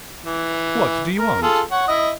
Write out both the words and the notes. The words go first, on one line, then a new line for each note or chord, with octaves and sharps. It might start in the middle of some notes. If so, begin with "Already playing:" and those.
"What do you want?"
E3
A#4
F4 G#4 A4
C#5 F#5
E4 D#5